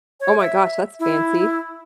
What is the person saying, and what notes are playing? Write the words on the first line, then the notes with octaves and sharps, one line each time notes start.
Oh my gosh, that's fancy.
C#5
E5
E4